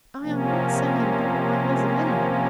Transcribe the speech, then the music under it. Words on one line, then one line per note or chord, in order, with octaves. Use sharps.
I am not saying but what I was a villain.
C3 F3 A#3 C#4